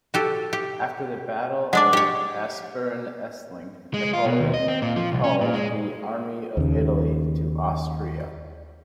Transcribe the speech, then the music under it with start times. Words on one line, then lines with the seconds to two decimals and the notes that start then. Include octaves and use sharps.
After the Battle of Aspern-Essling, Napoleon recalled the Army of Italy to Austria.
0.14 F#4 G4 A4
0.53 G4
1.73 G#3 D4 D5 F#5 D6
1.93 G4 C#5
3.94 G#3
4.13 F4
4.25 B2
4.40 D#2
4.54 D#5
4.68 C4
4.82 A#2
4.96 F3
5.12 C2
5.24 C#4
5.41 A#2
5.54 G#3
6.57 D#2 C#3